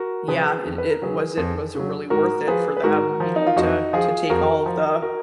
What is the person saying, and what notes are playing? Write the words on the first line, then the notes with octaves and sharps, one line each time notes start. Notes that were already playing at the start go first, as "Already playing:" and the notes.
yeah, it it was it was it really worth it for them, you know, to to take all of the
Already playing: F#4 A#4
C#3 F3 G#4 B4
F2
B4
A#4
C#3 F#3 G#4 B4
F2
C#3 F#3
G#2 F#4 A#4
F3 G#4 B4
B4
G#2 F#4 A#4
F3
D#4
F4
F2 D#4 F#4
F3 F4 G#4
F2 F#4 A#4
F3
F#4 A#4